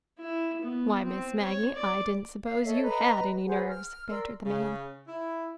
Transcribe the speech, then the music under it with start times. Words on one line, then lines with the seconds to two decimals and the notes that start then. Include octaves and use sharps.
"Why, Miss Maggie, I didn't suppose you HAD any nerves," bantered the man.
0.19 E4
0.62 B3
1.04 C4
1.43 C#5
1.74 D5
2.44 F5
2.65 A4 C#5 D#5 E5
2.81 B4 D#5 A#5
3.46 G#4 B4 C5 F#5
3.67 F6
4.09 A#4 D5 C6 E6
4.45 C#3
5.07 E4